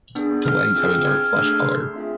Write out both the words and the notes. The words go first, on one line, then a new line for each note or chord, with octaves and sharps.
The legs have a dark flesh color.
B3 D4 G#4
F6
C4 F4 G#4 E6
F6
G#6
F6
A3 D4 G#4 E6
C6
C4 F4 G#4 E5